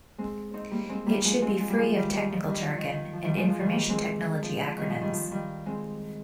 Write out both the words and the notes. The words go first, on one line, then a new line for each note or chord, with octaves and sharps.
It should be free of technical jargon and information technology acronyms.
G#3 C4
C4 D#4
G3 A#3
G#3 C4
G3 A#3
F3 G#3
G#3 C4
G#3
G3
F3 G#3
D#3 G3
D#3 G3
F3
D#3 G3
F3
D#3
D#3
F3
D#3 G3
F3 G#3
F3 G#3
D#3 G3
G#3
G3 A#3
G#3 C4
F3
D#3 G3
F3 G#3
D#3 G3
F3
D#3 G3
G#3 C4